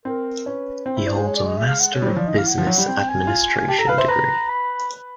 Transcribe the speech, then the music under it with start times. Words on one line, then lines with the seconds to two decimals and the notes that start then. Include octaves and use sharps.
He holds a Master of Business Administration degree.
0.05 C4 A#4
0.46 C#4 B4
0.85 C4 C5
0.97 E4
1.07 D4
1.17 G#3
1.26 C#5
1.36 D5
1.46 D#5
1.57 E5
1.67 F5
1.80 F#5
1.94 C#5
2.02 G3
2.07 F#3 C5
2.16 F3 D5
2.27 D#3 D#5
2.37 E3 F5
2.47 F#5
2.58 F3
2.67 F#3
2.78 G3
2.87 C4 G5
3.08 G#5
3.27 F4
3.68 G4 A5
3.78 A4 A#5
3.88 B4 F5
3.98 C5 E5
4.08 B4 A#5
4.49 B5